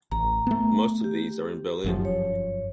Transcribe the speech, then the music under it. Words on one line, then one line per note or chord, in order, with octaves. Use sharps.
Most of these are in Berlin.
A1 A#5
A3 B3
G4
G1 F#2 F3
C#5